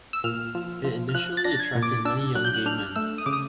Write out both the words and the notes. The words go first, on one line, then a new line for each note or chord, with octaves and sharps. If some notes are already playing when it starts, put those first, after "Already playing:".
It initially attracted many young gay men.
E6
A#2 F6
F3
F3
F6
F3 F#6
A6
D4 A#6
A6
G#6
A#2
D6
D4 E6
F#3 F#6
G6
F#6
D4 F6
A3 E6
D#6
C#3 D6
D#6